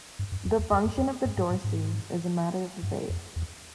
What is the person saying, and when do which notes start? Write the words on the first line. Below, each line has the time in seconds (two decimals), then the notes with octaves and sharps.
The function of the Dorsey is a matter of debate.
0.19 G2
0.32 F#2
0.46 F2
0.59 E2
0.72 F2
0.85 F#2
0.98 F2
1.25 G2
1.37 G#2
1.51 A2
1.64 G#2
2.83 G2
3.10 F2
3.36 E2